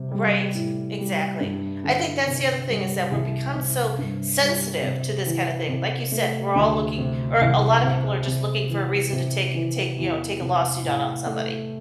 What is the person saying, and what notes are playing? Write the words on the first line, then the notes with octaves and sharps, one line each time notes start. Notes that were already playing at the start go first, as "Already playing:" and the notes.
Right. Exactly. I think that's the other thing is that we're become so sensitive to this kinda thing, like you said, we're all looking or a lotta people are just looking for a reason to take take, you know, take a lawsuit out on somebody.
Already playing: C3 G3
G3
A2
G3
G2
D3
C3
G3
C2
C3
G2
G3
C3
E3
C3
A3
D2
C3
C2
C3
C3
E3
C3
E3
E2
C3
A2
A3